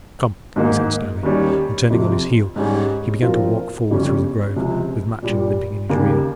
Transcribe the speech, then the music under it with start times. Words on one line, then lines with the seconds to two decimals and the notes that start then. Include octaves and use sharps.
"Come," he said, sternly; and, turning on his heel, he began to walk forward through the grove, with Matcham limping in his rear.
0.56 G#2 D#3 A#3 D#4
1.23 D#2 D#3 G3 C#4
1.90 F2 C3 F3
2.56 G#2 G3 C#4 G#4
3.22 A#2 F3 C4 F4 A#4
3.90 G1 F2 C#3 G3 C#4
4.56 C#2 C3 F3
5.22 A#1 A#2 G3
5.89 D#2 C#3 G3 A#3